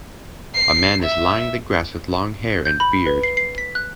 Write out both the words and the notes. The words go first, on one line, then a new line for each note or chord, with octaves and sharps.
A man is lying the grass with long hair and beard.
C7
E5
G6
B5
B4
C7
C7
B6
F#6